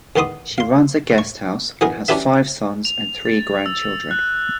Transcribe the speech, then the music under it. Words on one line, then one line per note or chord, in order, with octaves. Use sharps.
She runs a guesthouse and has five sons and three grandchildren.
E2 D#3 B3 C6 D6 D#6
F5 C6
C#6
E3 B3 G#4 A#4
C#4 D4 E4 G4 B4 E5
F7
A6
E6
F#6